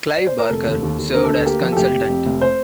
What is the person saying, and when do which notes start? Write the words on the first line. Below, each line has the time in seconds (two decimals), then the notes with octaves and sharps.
Clive Barker served as consultant.
0.16 D5
0.27 C5
0.38 A#4
0.50 F1 A4
0.66 D#2
0.82 D#2
0.98 D#2
1.14 D3 A#4
1.25 A4
1.30 D2
1.35 A4
1.45 A#3 G4
1.61 F3
1.72 A4
1.77 F1 G4
1.93 F1
2.08 F2
2.26 F1
2.41 C5